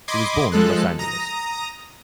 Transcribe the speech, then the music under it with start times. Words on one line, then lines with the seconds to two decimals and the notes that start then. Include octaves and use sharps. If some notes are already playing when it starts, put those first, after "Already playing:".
He was born in Los Angeles.
0.08 D#5 B5 C6 D6 G#6
0.52 F3 G#3 A4 F#6
0.99 A#5 D#6 A#6